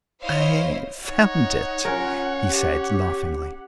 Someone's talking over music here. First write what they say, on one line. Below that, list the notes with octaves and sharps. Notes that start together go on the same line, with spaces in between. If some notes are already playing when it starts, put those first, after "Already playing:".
"I found it!" he said laughingly.
E4 C5 C#5 D#5 F5
D#4 C#5 F#5
C#4 F4 A#4
G4